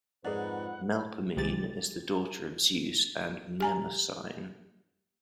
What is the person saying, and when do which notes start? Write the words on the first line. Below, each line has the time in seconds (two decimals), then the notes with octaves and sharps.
Melpomene is the daughter of Zeus and Mnemosyne.
0.25 F2 G#2 G#4 A#4 B4 D5 F#5
1.37 C2 C3 D#3 G#3 G4 A6
3.60 G4 G#5 A#5